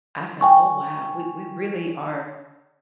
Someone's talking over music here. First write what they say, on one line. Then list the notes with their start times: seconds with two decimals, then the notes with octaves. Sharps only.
I said, "Oh, wow. We we really are"
0.41 G5 G#5 C#6